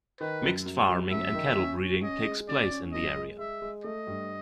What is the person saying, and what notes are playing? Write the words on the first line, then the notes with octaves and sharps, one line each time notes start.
Mixed farming and cattle breeding takes place in the area.
D#3 B4
F#2
F#2
F#2
F#2 E5
D#3
C#4
C#4
C#4 D#5
G#3
C#4 D5
C#4
F#2 D#5
G#3
G#3 E5
G#3
A3 D#5
G2